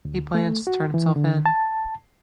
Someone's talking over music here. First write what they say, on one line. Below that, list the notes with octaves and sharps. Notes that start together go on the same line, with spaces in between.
He plans to turn himself in.
D2
A3
F#4
E3
D3
A5